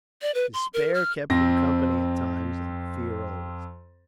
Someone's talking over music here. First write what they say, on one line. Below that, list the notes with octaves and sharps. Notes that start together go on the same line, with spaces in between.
Despair kept him company at times, and fear always.
D5
B4
C6
A#4
F6
F2 C4 A#6